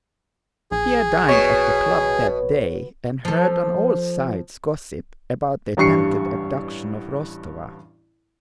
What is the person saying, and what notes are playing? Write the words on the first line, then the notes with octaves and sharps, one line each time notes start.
Pierre dined at the club that day and heard on all sides gossip about the attempted abduction of Rostova.
A#1 G#4
B2 C#5
F3 A4
A1 G2 G3 C#6 C7 C#7